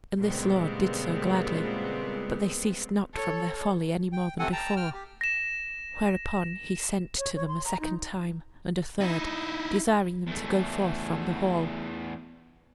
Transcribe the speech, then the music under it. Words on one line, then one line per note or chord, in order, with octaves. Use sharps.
And this lord did so gladly. But they ceased not from their folly any more than before. Whereupon he sent to them a second time, and a third, desiring them to go forth from the hall.
A#2 C#3 G3 G#3 B3 C4
A4 C#5
G5
C3 A3 C4 A4 F#5 G#5
G5 A5 A#5
G5 F6
G4
A#6 E7
C#5
C#5
C6
A#5
D#4
D#4 E4
E2 A3